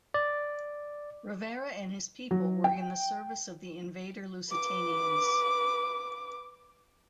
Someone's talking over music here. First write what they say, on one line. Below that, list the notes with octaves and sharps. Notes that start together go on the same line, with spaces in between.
Rivera and his people were in the service of the invader Lusitanians.
D5
F#3
G5
B4 D6